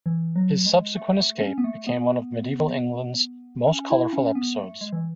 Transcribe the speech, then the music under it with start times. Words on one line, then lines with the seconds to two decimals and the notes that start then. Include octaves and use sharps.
His subsequent escape became one of medieval England's most colourful episodes.
0.06 E3
0.36 F#3
0.66 G#3
0.96 A3
1.19 A3
1.41 C#4
1.58 B3
1.64 A3
1.87 B3
3.67 C#4
3.90 E4
4.13 C#4
4.35 B3
4.59 A3
4.81 G#3
4.92 E3